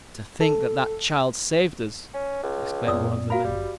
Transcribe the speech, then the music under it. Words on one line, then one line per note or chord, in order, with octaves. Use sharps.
"To think that that child saved us!" exclaimed one of the men.
A4
C#4
C#2
F#2 A#2 B3 D5 D#6 E6
F#4 A#4 F5 B5
G1 F#2 G3